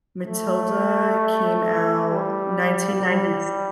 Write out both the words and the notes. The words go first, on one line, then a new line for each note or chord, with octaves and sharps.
Matilda came out nineteen ninety s
A3
G3
G3